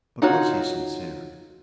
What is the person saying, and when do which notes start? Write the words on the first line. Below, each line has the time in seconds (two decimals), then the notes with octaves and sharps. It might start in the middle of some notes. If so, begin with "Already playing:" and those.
But was he sincere?
0.22 D#4 F4 F#4 C#5